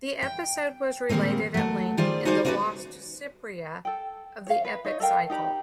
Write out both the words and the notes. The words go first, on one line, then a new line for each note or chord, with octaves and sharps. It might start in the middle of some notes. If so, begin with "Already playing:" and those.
The episode was related at length in the lost "Cypria", of the Epic Cycle.
G5
A#2 D#3 G3 G#3 A#3 C4
F#3 A3
D#3 G3 F4 G#4 C5 D5
D#4 F#4 G#4 A#4 C5 D5
A#3 C#4 F#4 A#4 B4 D5
A4 G5
C#5 F5
B4
D#4 C#5 D#5
A4 A#4 F5 G5
D#4 G4 A#5 B5